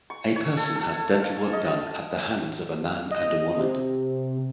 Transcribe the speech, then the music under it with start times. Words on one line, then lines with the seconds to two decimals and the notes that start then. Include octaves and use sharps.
A person has dental work done at the hands of a man and a woman.
0.10 C#6
0.36 C#5
0.57 A4
0.76 A4
1.22 F5
1.53 D#5
3.11 D#5
3.57 C3